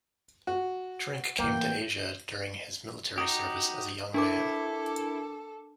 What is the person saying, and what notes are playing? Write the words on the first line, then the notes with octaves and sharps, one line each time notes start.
Trink came to Asia during his military service as a young man.
F#4
A2 E3 A#3 G5
D#4 F#4 G4 D#6
D4 E4 A4 A#4 D6